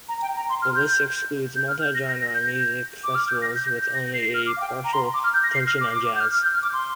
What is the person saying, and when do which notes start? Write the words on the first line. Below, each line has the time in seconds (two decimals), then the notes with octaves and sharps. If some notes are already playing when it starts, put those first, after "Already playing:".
This list excludes multi-genre music festivals with only a partial attention on jazz.
0.08 A#5
0.22 G5
0.36 A#5
0.49 C6
0.62 F6
0.75 G6
1.56 G6
1.68 F6
1.82 G6
1.94 A#6
2.08 A#6
2.22 A#6
2.34 G6
3.04 D6
3.15 F6
3.28 G6
3.42 A#6
3.55 G6
3.67 G6
3.81 G6
3.94 A#6
4.14 C7
4.34 F6
4.47 D6
4.56 F5
4.61 G5
4.84 A#5
4.93 C6
5.14 D6
5.24 F6
5.34 G6
5.43 A#6
5.54 C7
5.66 F6
5.81 D6
5.93 D6
6.16 G6
6.20 F6
6.33 F6
6.43 G6
6.53 F6
6.62 D6
6.73 C6